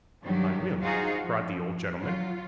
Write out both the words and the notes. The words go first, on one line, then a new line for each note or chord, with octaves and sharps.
'I will!' cried the old gentleman.
G2 D#3 F#3 G4
D#4 F4 F#4 G#4 C5 F5
F3
F#3 F4